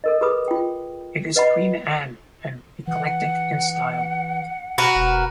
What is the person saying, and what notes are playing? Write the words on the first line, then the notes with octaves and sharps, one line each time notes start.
It is Queen Anne and eclectic in style.
A4 A#4 D#5
G#4 A4 B4 B5 D#6
F4 G5
B4 D#5 F#5 B5
E3 F#5
F#4 A#4 B4
E1